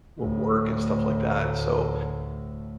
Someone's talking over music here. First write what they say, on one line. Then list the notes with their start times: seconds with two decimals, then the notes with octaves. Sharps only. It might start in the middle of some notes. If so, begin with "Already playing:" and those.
w work and stuff like that, so,
0.20 D2 A2